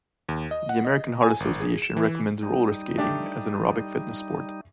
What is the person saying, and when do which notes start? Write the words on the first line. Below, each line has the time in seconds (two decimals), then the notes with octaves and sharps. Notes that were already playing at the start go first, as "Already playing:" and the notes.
The American Heart Association recommends roller skating as an aerobic fitness sport.
0.29 D#2
0.51 D#5
0.69 F#5
0.85 D#5
1.22 G#5
1.40 G#1
1.60 G#4
1.82 E7
1.97 E3
2.42 G3 D#4
2.98 A3 D4 G4